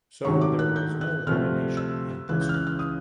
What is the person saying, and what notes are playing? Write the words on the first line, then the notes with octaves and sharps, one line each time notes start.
So there was no elimination in this week.
G#2 D#3 F#3 A3 D4 C#6
D6
F#6
G6
F#6
D2 C3 F3 A3 F6
E6
C#2 C#3 E3 F#6
G6
F6
F#6
F6
D#6